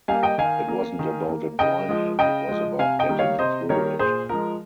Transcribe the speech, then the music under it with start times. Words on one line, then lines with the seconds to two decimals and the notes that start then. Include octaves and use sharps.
It wasn't about enjoying it, it was about getting through it.
0.08 G3 A#3 F5 G#5
0.23 D#5 G5
0.38 D#3 F5 G#5
0.68 A#3
0.99 D#3
1.29 A#3
1.59 C#3 D#5 G5
1.89 F3 G#3
2.19 C#3 D#5 G5
2.49 F3 G#3
2.79 C3 F5 G#5
2.99 D#5 G5
3.09 D#3 G3 A#3
3.19 C#5 F5
3.39 C3 C5 D#5
3.69 D#3 G3 A#3 A#4 C#5
3.99 A#2 G#4 C5
4.29 F3 G#3 A#4